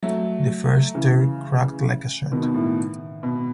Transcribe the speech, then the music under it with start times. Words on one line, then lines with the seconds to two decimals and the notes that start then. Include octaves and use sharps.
The first stair cracked like a shot.
0.03 F#3 A3
0.94 C#3 E3
2.32 B2 D#3
2.43 B2
2.54 A2
3.23 B2